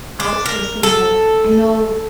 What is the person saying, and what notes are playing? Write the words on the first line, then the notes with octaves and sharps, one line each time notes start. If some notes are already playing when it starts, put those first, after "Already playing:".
outsourcing, like I know,
D4
A#4
A4